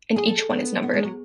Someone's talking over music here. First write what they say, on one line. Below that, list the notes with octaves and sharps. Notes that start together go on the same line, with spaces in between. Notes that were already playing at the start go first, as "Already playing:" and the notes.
And each one is numbered.
G#4
A4
B3
B3
G#3
F#3